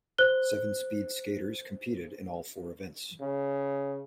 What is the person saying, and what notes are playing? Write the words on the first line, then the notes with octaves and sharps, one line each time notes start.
Seven speed skaters competed in all four events.
C5 F#6 G7
C#3